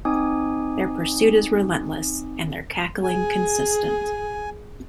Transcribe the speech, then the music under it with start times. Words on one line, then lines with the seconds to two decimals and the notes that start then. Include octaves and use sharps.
Their pursuit is relentless and their cackling consistent.
0.05 C4 D#4 G#5 D6 D#6
3.03 G#4 G#5